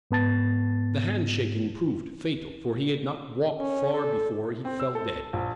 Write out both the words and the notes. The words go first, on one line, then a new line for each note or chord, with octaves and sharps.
The hand-shaking proved fatal, for he had not walked far before he fell dead.
G#2 B3 A5 A6
C#4
A4
C4
E6
A4
A#1